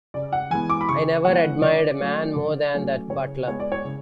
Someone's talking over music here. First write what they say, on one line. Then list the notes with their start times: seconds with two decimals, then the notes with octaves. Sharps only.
I never admired a man more than that butler.
0.14 C#3 D5
0.33 F#5
0.50 E3 G#3 B3 G#5
0.70 D6
0.81 B5
0.88 C#3 C#6
1.25 E3 G#3 B3 F#5
1.62 D3 D5
1.99 F#3 A3 C#4
2.36 D3
2.74 F#3 A3 C#4
3.10 C#3 C#5
3.47 G#3 B3 C#5
3.60 D5
3.72 C#5
3.85 C#3